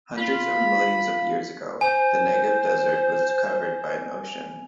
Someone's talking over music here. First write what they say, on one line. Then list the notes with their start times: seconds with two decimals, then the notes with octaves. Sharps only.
Hundreds of millions of years ago, the Negev desert was covered by an ocean.
0.18 F4 B5
1.81 C5 G#5